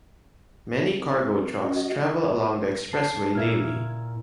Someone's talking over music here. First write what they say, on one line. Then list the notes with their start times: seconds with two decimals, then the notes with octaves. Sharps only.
Many cargo trucks travel along the expressway daily.
0.98 C2
1.64 F#2 F#4 D#5
2.91 A5 C7
3.35 A#2 E4 E5 F6 G#6